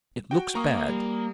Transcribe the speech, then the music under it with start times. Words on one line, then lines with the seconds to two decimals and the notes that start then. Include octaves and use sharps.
It looks bad.
0.31 F#4 G5
0.55 A#3 A#5 C#6 D#6
0.89 G3